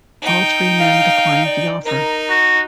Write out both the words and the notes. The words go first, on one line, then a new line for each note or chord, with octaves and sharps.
All three men declined the offer.
D#4 G5
F5
D5
D#4 A#4
F#4